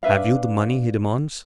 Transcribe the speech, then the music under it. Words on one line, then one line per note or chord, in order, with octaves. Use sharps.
"Have you the money he demands?"
D4 B4 E5 F5